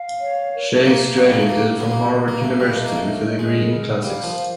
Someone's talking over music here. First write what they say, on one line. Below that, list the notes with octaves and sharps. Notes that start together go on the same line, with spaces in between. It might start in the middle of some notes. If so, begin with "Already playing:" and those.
Chace graduated from Harvard University with a degree in Classics.
Already playing: F5
C#5
A#4
A3
A#3 F5
F#3 F5
G3
G#3
A3
A#3 G4
B3 F5
A#3
G4
A#3
A3 F5
G3
A3 D#5
A#3
A3
A#4
G#3 D#5
A#4
G3 F5
F3
C5